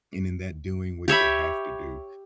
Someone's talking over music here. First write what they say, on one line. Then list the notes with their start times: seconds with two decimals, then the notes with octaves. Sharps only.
And in that doing what you have to do,
1.08 G4 C#5 E5 B5